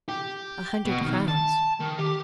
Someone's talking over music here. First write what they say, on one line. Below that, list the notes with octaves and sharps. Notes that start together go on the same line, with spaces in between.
"A hundred crowns."
G4
B2
D#3
A5
D#3
G4